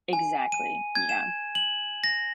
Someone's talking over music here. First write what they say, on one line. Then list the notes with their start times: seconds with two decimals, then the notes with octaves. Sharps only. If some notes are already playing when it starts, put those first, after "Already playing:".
Exactly, yeah.
0.13 G#5
0.52 D#7
0.95 G#6
1.09 E7
1.55 F#7
2.04 A#6